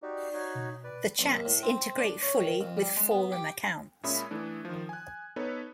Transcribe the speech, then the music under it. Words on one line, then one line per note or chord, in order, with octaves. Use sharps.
The chats integrate fully with forum accounts.
D#4 F#4 G4 D5
D#4 F#4 C#5
B2
B4 D5
B1
D#2
A2
C4
D4
C#5
D#3
F2
G3
G#3
B3
G4
A#2 G#3 C#4 E5 B5 D#6
E3 A3 D4
D#3 F3
G#5 F#6
B3 D#4 A4 B4 C#5